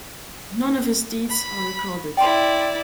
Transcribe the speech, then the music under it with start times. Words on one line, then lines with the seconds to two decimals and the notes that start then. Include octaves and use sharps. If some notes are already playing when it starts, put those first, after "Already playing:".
None of his deeds are recorded.
1.30 B5
2.17 E4 D5 G5 C6